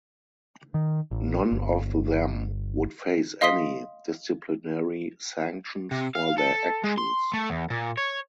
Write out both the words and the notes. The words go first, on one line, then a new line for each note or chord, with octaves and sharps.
None of them would face any disciplinary sanctions for their actions.
D#3
A1
G1
D#5 F5 C6 D#6 B6 G7
C3
F5
A4
G#3
C6
A3
E2
A#2
C#5